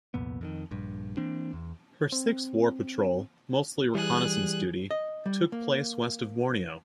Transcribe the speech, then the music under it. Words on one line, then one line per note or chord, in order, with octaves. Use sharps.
Her sixth war patrol, mostly reconnaissance duty, took place west of Borneo.
C2 F2 A#2 B3
F2 D3 D#3
A#1 G2
E3 A#3 C4 D4
E2
C4
E3 G3 G#4 F#6
D#5
G3
A#3